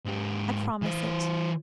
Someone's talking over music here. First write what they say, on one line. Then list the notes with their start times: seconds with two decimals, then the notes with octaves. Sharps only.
"I promise it."
0.05 G#2 G4
0.82 E3 C5